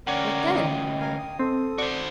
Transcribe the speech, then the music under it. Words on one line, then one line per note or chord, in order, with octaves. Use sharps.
"What then?"
D2 C#4 A#4 D5 F#5 G5
D#5 G5
A#4 F5 G#5
D#6
C4 A4
F#4 C5 D5